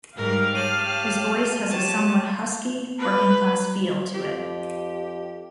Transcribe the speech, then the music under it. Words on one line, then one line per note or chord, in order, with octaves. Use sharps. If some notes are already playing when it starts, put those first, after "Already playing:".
His voice has a somewhat husky, working class feel to it.
G#2 G3 A#4 F5 G5 A#5 F6
G4 C#5 A5 D#7 F#7
F#3 G4 C#5 A5
B4
F2 G4